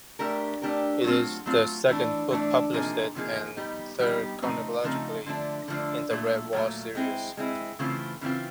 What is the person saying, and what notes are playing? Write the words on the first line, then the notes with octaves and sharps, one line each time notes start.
It is the second book published and third chronologically in the "Redwall" series.
A3 D4 G4 A#4
A3 D4 G4 A#4
F#3 A3 C4 F4
F#3 A3 C4 F4
E3 A3 D4
E3 A3 D4
C3 F3 A#3 D#4 G#4
C3 F3 A#3 D#4 G#4
G3 B3 D#4 G4
G3 B3 D#4 G4
C#3 F3 A3 C4 D#4
C#3 F3 A3 C4 D#4
D3 F3 A3 D4
D3 F3 A3 D4
A#2 F#3 A3
A#2 F#3 A3
G#3 C4 E4
G#3 C4 E4
C#3 E3 A3 C4 F4
C#3 E3 A3 C4 F4